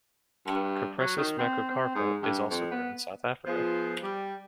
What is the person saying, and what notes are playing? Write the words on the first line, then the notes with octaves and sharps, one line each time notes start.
"Cupressus macrocarpa" is also grown in South Africa.
G2
F#3
D#3
C4
C4
G#2
G2
F2
B3
F3 B3 F4 G#4 C5
G3